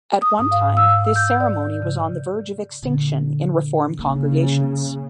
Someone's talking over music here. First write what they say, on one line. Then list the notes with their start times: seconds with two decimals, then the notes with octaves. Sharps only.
At one time, this ceremony was on the verge of extinction in Reform congregations.
0.22 D#6
0.39 G#2
0.51 F5
0.77 E6
1.16 G6
1.40 D5
1.82 C#3
2.82 A#2 D3
3.99 C#3 A#3